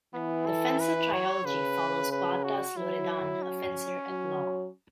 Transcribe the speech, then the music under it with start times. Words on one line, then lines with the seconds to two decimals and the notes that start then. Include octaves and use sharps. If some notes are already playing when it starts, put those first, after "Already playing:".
The Fencer trilogy follows Bardas Loredan, a fencer-at-law.
0.14 E3 B3
0.47 A4
0.80 B4
1.13 C#5
1.45 C#3 B4
2.12 B4
2.44 F#4
2.76 F#3 E4
3.42 C#4
4.08 F#3